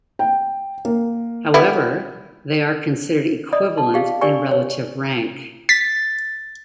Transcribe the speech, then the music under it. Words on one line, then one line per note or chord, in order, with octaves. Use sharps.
However, they are considered "equivalent" in relative rank.
G5
A#3
G3 B3 E4
D5 D#5 D#6
A5
G4 G#4 F5
G4 A#4 D5 G#5 C#6
C#5
A6 B6